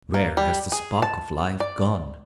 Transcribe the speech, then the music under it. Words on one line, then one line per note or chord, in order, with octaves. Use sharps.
Where has the spark of life gone?
A#3
G3
G#4
A5
D5